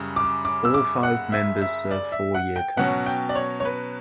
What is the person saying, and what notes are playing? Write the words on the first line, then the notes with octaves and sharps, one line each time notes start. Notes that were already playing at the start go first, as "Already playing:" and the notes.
All five members serve four year terms.
Already playing: F#2 C#3 G3
D6
D6
E6
D6
F#5
E5
E5
D5
E5
F#5
G5
B2 F#3 C#4 F#5
G5
D5
C#5
C#5
B4